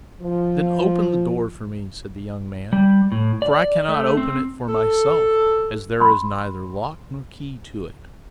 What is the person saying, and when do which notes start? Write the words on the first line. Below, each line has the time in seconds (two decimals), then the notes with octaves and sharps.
"Then open the door for me," said the young man; "for I cannot open it for myself, as there is neither lock nor key to it."
0.21 F3
2.73 G3
3.12 A2
3.42 D5
3.89 A3
4.17 C4
4.69 A4
6.00 B5 C6